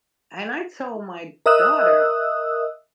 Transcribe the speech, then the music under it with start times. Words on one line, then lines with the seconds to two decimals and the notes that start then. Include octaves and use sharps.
And I told my daughter,
1.46 A#4 D#5 E5 D#6 E6 F#6